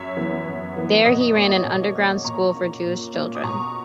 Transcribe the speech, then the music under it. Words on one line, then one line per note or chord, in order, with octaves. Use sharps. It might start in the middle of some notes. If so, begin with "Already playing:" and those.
There he ran an underground school for Jewish children.
Already playing: F#2 C#5 E5
E3 B3
F#2
E3 B3
B2 D#5 F#5
D#5
A#3 C#4 C#5
D#5
B2
A#3 C#4
A#2 A#5 C#6
A#3 C#4
A#2
A#3 C#4
D#6
B2 A#5 C#6